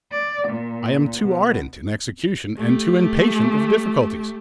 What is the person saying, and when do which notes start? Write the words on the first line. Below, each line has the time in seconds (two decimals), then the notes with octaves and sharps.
I am too ardent in execution and too impatient of difficulties.
0.12 D5
0.48 A#2
1.22 B2
2.57 A3 G4